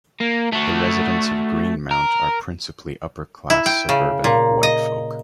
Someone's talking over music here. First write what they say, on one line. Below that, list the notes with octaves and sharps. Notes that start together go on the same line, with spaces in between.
The residents of Greenmount are principally upper class suburban white folk.
A#3
A3 F#4
A#4
E4
G5
C#3
A#2
D#5